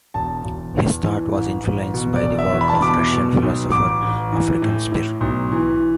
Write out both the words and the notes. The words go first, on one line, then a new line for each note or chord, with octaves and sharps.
His thought was influenced by the work of the Russian philosopher African Spir.
E1 A5
E1
E2
E3
A1
A1
B2
D5
E1
E5
E2
B5
A5
B5
B2 D6
B2
B1
A1 D6
A1
E3
A2
A2
B1
E3